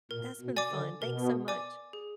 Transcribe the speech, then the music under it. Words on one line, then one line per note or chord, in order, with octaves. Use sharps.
that's been fun, thanks so much.
A#2 A#4
B2
D5 G#5 D6
D3
B2 A#4
D5 G#5 D6
G#4